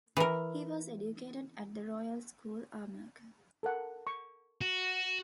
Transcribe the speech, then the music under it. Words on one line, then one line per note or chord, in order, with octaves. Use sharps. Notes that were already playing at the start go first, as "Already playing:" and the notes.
He was educated at The Royal School, Armagh.
E3 A#4
A4 A#4 F#5
C#6
F#4